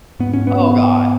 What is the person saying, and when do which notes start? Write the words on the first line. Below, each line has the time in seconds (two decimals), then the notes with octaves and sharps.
Oh god.
0.19 G#2 B3
0.34 C#4
0.47 B3